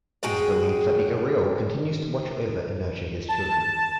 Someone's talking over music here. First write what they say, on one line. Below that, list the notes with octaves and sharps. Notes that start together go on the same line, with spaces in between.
It is believed that Ereal continues to watch over and nurture his children.
G#3 F#4 G#4 G5
A5